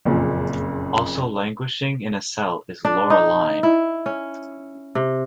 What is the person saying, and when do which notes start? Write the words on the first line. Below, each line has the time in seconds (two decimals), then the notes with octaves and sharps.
Also languishing in a cell is Laureline.
0.05 F#1 F2 A#2 C#3
2.85 D4
3.10 D#4
3.63 E4
4.06 C#4
4.95 C3